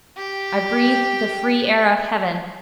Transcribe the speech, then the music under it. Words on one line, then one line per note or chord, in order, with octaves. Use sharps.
I breathed the free air of Heaven.
G4 G5